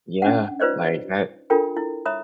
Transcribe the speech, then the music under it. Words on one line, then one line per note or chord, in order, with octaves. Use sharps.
Yeah. Like, I
C#4 D4 F#5
D#4 F4 B4 C5 D5 D#5
D4 F4 A4 A#4 G5 B5
E4
C#5 E5 A#5 B5 D#6